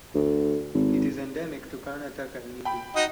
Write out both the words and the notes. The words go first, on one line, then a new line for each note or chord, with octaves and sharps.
It is endemic to Karnataka in India.
D2
G#1
G5 B5
D#4 F#4 D#5